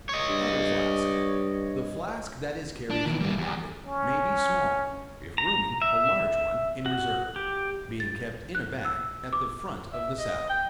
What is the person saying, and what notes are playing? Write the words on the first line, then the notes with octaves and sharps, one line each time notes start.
Powder-flask.--The flask that is carried in the pocket may be small, if roomy; a large one, in reserve, being kept in a bag, at the front of the saddle.
C#5 D#5
G2
D4
D#3 E3
G3 A#3
E2
C#4
A#5
E5
F#4
G4
A6
F#6
E6
D6
E5
D#5
G5